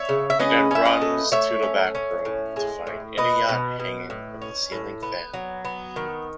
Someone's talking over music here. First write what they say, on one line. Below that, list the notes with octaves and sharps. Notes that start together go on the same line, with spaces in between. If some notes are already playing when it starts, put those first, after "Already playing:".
He then runs to the backroom to find Inayat hanging from the ceiling fan.
Already playing: C#5 E5
C#3
E5
C#4 B4 D#5
C#4 E5
B4 D#5
A3
A3 C#5 E5
C#4
C#4
A2
G#3
A2
B2 B4 D#5
B2
B2
A2
C#4
A2
B3
F#3
B3
D#3